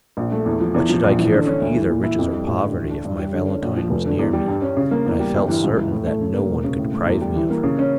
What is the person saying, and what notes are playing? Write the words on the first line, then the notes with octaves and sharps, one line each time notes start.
What should I care for either riches or poverty, if my Valentine was near me, and I felt certain that no one could deprive me of her?
A#1
A3
E2
F3
E2
F3
A#1
E3
D3
C#4
D2
E3
A#2
E4
F2
G3
A1
D3
E3
D4
G2
G3
D3
C#4
A#1
F3
F1
D3
E2
G3
G2
C#4
C#3
A#3
E2
G3
G1
E3
C#2
E3
A2
A3
C#3
A#3
E1
C#3
A2
A3
E2
G3
E3
A#3
C#3
C#4